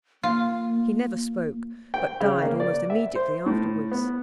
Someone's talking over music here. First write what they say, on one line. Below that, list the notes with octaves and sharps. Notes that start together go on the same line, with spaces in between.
He never spoke, but died almost immediately afterwards.
A#3 F4
G5
C#3
A#3
D5
E5
C5
A2
B3